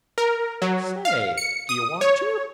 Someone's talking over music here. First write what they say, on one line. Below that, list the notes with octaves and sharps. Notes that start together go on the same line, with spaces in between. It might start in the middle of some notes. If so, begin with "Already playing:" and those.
Say--do you want to?'
A#4
F#3
F5
C#7
D#6
C#5